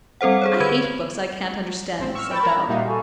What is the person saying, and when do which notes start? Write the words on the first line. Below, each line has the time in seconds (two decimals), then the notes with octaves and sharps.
"I hate books I can't understand," said Bell.
0.21 G3 C4 A4 C5 F#5
0.42 G#4 C5 C#5
0.60 D3 B4 B5 G#6 D#7
2.00 A1 C4
2.15 C#6 E6 F6
2.31 G5 B5 C#6 A6
2.43 A#4 A#5
2.69 A#2 G3 D#4 F4 F#4 E5 F5
2.86 A4 G#5 C#6